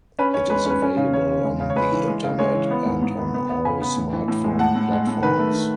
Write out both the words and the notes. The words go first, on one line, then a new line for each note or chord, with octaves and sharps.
It is available on the Internet and on all smartphone platforms.
C#4 B4
C#4 C#5
G#3 B4
C#4 B4
C#4
C#3
C#3 C#5
C#3
G#3
C#3
C#5
G#3 B4
E3
G#3
C#3
G#3 C#5
E3
B3
G#2
G#2
B3
B3
B3
C#3 G#5 B5
B3
A2
E3
A2
G#3
A2 F#5 A5
A2
G#3
A2
D#3 B4
A3
D#3